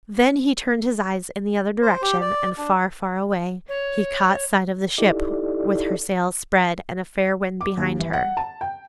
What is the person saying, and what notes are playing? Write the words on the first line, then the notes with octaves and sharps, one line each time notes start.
Then he turned his eyes in the other direction, and, far, far away, he caught sight of the ship with her sails spread, and a fair wind behind her.
C5
G4
D5
D4
C#5
D#4 E4 G4 A4 D5
D6
D#2
E3
F#5
A5
G5